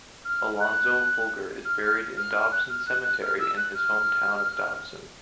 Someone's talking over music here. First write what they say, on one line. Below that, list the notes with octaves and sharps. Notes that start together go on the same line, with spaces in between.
Alonzo Folger is buried in Dobson Cemetery in his hometown of Dobson.
F6
F#6
F6
F6
F6
F6
F#6
F6
F#6
F#6
F6
E6
F#6
F6